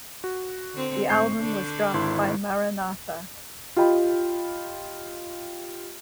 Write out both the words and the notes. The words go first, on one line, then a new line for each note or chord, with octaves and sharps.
The album was dropped by Maranatha!
F#4
D3 C4
G#2 C4 C#6 G6 C7
D3 D4
G#1 E4 C6
F4 G4 D#5 G5 B5